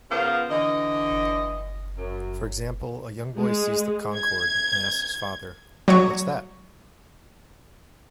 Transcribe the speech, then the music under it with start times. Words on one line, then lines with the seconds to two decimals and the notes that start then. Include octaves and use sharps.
For example, a young boy sees the Concorde and asks his father "What's that?".
0.10 C#3 B3 F4 A#4 C5
0.49 D3 E3 D#5
1.96 F#2
3.36 G#3
4.14 G#6
5.88 F#3 C#5 C#6